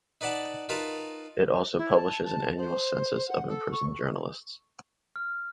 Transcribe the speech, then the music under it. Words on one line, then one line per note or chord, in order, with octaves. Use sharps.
It also publishes an annual census of imprisoned journalists.
D#4 B4 D5 F#5 A5
D#4 F4 A#4 B4 A5 A#5
E4
A5
A5
C5
F#5
A4
C#6
F6